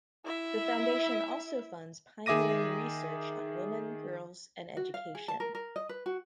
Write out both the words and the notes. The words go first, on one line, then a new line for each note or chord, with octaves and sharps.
The Foundation also funds pioneering research on women, girls, and education.
E4 E5
D#3 G#4 E5 D6 A#6 D#7
F#4
F5
G#4
A5
A#4
A#4
D#5
B4
F#4